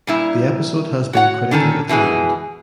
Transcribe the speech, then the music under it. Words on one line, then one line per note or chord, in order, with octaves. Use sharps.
The episode has been critically acclaimed.
A#2 G3 E4
F#4 C#5 F#5
D3 D#3 C#4 A4
B2 E3 G#3 G#4